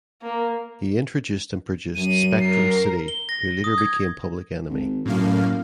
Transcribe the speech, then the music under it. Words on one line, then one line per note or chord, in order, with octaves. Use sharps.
He introduced and produced Spectrum City who later became Public Enemy.
A#3
F#2 D#7
A#4 C7
G7
A#6
D#6
G#6
G#1
F#2 A2 A#3 F5